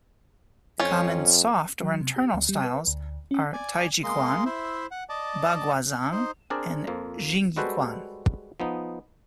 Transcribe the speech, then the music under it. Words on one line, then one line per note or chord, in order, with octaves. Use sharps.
Common "soft" or internal styles are Taijiquan, Baguazhang and Xingyiquan.
F2 C#4 F4
F#3
C3
G4
D2
G3
B4
D2
C#4
D5 G#5
G#3 A#3 D#5 C6
E4 C5 E5
F#5
D5 D#5 A5
D#4 C5
C4 D4 G#4 A#4 D5
F2 F3 A#3
G3 G#3 F#4 A4 B4 C5
F3 B3 D#4